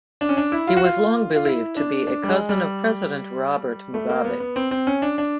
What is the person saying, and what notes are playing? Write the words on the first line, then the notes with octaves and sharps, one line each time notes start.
He was long believed to be a cousin of President Robert Mugabe.
D4
C#4
D4
E4
F4
F#4
F4
F4
E4
D4
D4
G3
G#3
G3
A3
A#3
B3
B3
C4
C4
C#4
D4
D4